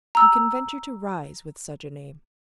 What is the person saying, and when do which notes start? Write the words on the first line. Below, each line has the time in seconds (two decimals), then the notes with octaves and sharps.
You can venture to rise with such a name.
0.15 A#5 E6